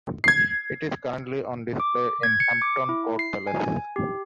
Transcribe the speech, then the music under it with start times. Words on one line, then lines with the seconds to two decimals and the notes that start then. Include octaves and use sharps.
It is currently on display in Hampton Court Palace.
0.24 G#6 C7
1.80 D6
2.23 G#6
2.40 C#7
2.62 D6
2.89 E4
3.19 C7
3.47 G#5
3.96 G4